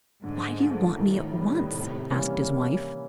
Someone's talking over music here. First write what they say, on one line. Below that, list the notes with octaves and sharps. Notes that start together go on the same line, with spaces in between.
"Why do you want me at once?" asked his wife.
G#2 D3
F3 A3
A2 D#3
G3 B3
C3
E3 G3 A#3 C#4